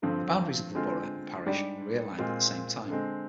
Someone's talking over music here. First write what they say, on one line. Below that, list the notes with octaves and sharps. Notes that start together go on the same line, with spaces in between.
The boundaries of the borough and parish were realigned at the same time.
G2 D3 F3 C4
D3 G#3 C4 F4
G#2 G3 D4 G4
A#2 G#3 C4 F4
D3 G#3 C4